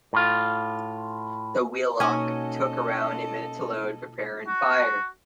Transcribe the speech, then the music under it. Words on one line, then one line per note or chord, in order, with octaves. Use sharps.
The wheellock took around a minute to load, prepare and fire.
A2 F4
B2 A#3 C#4 D#4 F#4 A4 D#5 G#5
F#4